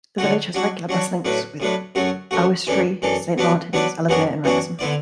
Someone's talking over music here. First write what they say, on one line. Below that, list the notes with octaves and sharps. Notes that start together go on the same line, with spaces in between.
The village has regular bus links with Oswestry, Saint Martins, Ellesmere and Wrexham.
D3 F#3 A3 F#4
F#3 D4 F#4
F#3 D4 F#4
A2 F#3 D4 B4
A2 F#3 D4 B4
F#2 F#3 A3 F#4
F#2 F#3 A3 F#4
F#2 E3 D4 A4
F#2 E3 D4 A4
F#3 B3 D4 B4 D5
F#3 B3 D4 B4 D5
F#2 E3 B3 D4 F#4
F#2 E3 B3 D4 F#4
D3 B3 E4 D5